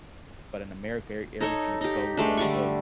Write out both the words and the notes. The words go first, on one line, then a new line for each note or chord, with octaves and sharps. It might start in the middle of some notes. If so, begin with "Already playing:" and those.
But in America, er everything is a go, go, go.
D#4 A4 C#5
D#4 G4
G#3 A3 D4
D3 G3 D5 C#6